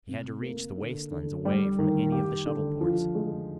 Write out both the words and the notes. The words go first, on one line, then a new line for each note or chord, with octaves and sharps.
He had to reach the wastelands away from any of the shuttle ports.
C3
A#3
D3
D3
G3
D#3
G4
D3
F3
G#3